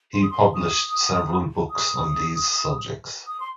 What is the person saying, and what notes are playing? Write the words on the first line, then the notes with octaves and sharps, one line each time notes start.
He published several books on these subjects.
C6
D#6
C6
D#6
D#6
D#6
C6